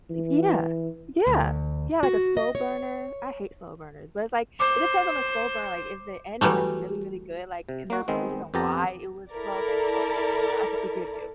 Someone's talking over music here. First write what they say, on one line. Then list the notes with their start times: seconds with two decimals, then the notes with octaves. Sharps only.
Yeah. Yeah. Yeah, like a slow burner. I hate slow burners, but it's like, it depends on the slow burn, like, if the end is, like, really, really good, like, and there's a reason why it was slow, then okay, you know, I can forgive you.
0.10 E3
1.27 D2
2.03 F#4
2.37 D#5
2.55 C#5
4.60 C5 D6
6.41 E3 F#3 G3 A3
7.69 C3
7.90 A#3 F#4
8.08 D#3 G#3 B3 C4
8.54 F2 B3 G4 A5 A#5
9.31 E4 A4 A#4 D5